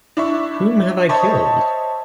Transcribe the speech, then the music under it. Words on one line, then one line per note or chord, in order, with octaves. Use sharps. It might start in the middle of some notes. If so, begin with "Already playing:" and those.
Whom have I killed?
D4 E4 E5 C#6
C5 C#5 D#5 E5 A5 C#6